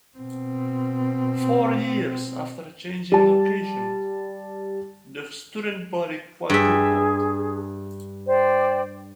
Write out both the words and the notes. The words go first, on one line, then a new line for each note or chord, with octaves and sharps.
Four years after changing locations, the student body quadrupled.
B2 C4
G3 A5
G2 G#4 E5
C5 D5 G5